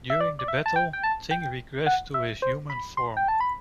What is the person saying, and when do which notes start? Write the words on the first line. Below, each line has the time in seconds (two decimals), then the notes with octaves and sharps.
During the battle, Thing regressed to his human form.
0.10 E5
0.21 D5
0.39 D5
0.48 E5
0.66 A5
0.76 G5
0.93 G5
1.04 A5
1.31 G5
1.87 F#5
2.14 E5
2.42 C5
2.70 B5
2.97 C6
3.17 G5
3.28 A5
3.40 B5